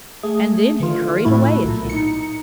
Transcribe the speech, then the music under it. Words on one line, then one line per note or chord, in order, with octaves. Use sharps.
And then he hurried away again.
A3 G#4
D3 E3 F4
A2 A3 E4 F#4
B1 A#2
D#4 C#7